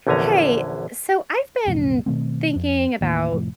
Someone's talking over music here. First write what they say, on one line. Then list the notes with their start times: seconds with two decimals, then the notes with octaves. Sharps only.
Hey. So I've been thinking about
0.07 A#1 E2 D3 C#4 G#5 A#5
1.66 B1 F2 A2 C#3
2.06 B2 D#3 A3 C4
2.56 F2
3.01 D#2 A2 D#3 A#3
3.32 F1 A2 F3